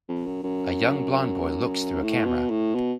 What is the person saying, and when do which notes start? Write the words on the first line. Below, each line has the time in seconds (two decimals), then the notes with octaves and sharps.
A young blond boy looks through a camera.
0.09 F2
0.26 F#2
0.43 F#2
2.02 A2
2.26 B2
2.50 A2
2.74 B2